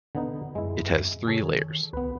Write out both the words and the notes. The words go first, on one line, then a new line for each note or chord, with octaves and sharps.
It has three layers.
D3 B3 D#4
F#2 G#3 E4
C#3 G#4 A4 C#5
D#3
C#2 B3 B4